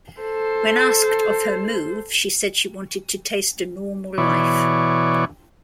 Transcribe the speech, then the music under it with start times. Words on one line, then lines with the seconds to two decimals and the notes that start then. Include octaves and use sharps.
When asked of her move, she said she wanted to taste a normal life.
0.20 A4 C5
4.18 B2 E3 C#5 D5